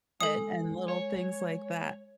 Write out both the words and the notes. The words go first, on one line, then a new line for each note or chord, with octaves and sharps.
and and little things like that,
G#3 A4 D#6
C#5